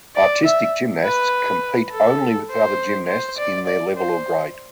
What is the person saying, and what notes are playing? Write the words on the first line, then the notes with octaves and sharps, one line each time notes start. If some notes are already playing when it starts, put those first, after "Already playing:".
Artistic gymnasts compete only with other gymnasts in their level or grade.
D5
E5
B4
A4
C5
C5
D5
D5
C5